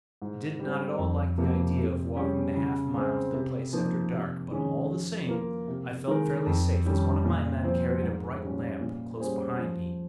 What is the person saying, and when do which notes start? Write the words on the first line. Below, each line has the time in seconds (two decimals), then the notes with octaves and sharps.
I did not at all like the idea of walking the half-mile to the place after dark, but all the same I felt fairly safe, as one of my men carried a bright lamp close behind me.
0.22 G#2
0.59 G3 C4
0.99 F2
1.38 C3 F3 A#3
1.77 C3
2.16 G3 C#4 G#4
2.56 C#3
2.94 G#3 C4
3.34 C3
3.73 F3 A#3 D#4 A#4
4.12 C3
4.51 D#3 G#3 C#4
4.90 F3
5.29 A#3 F4 A#4
5.68 C3
6.07 D#3 G#3 D#4 A#4
6.46 F2
6.85 D#3 G3 C#4
7.25 A#2
7.64 F3 C4
8.03 G#2
8.41 G3 C#4
8.81 A#2
9.20 G3 C#4 G#4 C5
9.59 F3